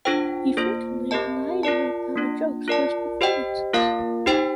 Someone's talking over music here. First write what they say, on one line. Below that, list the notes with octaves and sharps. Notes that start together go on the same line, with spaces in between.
He frequently will not even write down the jokes for his performances.
D4 F4 A4 C5 G5
A#3 F4 A4 C5
C4 G4 A#4 D#5 A5
F4 A#4 D5 A5
A#3 D4 F4
F4 A#4 D5 A5
G4 C5 D#5 G5
A#3 F4 A#4 F5
D#4 G4 C5 G5